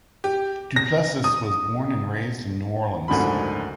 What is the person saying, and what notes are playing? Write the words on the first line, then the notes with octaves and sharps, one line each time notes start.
Duplessis was born and raised in New Orleans.
G4
A#6
D#6
F#1 D2 G#2 D3 F3 B5